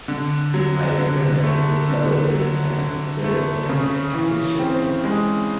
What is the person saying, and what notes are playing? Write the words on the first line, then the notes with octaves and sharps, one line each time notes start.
I experimented with several different types of stereo chorusing and pitch-shifting.
D3
F#3
D3
A3
D3
F#3
D3
A3
C#3
E3
C4
G#3